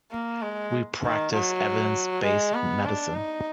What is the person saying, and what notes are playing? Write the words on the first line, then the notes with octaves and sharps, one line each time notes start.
We practice evidence-based medicine.
A#3
G#3
D#3
F#3
G#3
B3
D4
D#4